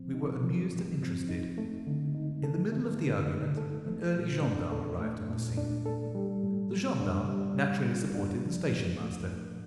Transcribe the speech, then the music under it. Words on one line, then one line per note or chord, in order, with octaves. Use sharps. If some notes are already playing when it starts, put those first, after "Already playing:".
We were amused and interested. In the middle of the argument an early gendarme arrived on the scene. The gendarme naturally supported the station-master.
Already playing: A2 F3 C4
D#4
F3
A2
C4
D#4
A3
D3
D#4
A4
A3
D3
D#4
A4
A3
A#2
D4
A4
A3
A#2
D4
A4
G3
A2
A#3
D4
G3
A2
A#3
D4
F3
A2
A3
A2